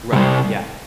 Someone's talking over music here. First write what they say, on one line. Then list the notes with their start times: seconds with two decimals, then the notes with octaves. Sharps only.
Right, yeah.
0.13 C3 G3